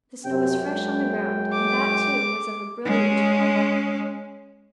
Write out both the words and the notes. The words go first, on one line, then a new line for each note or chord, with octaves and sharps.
The snow was fresh on the ground, and that, too, was of a brilliant red.
F#2 C3 G5
G#3
D6
G#3 C#4